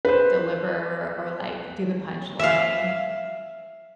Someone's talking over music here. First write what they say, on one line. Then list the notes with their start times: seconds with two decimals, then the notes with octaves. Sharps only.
deliver or like, do the punchline.
0.05 B4 C5
2.39 E5 F5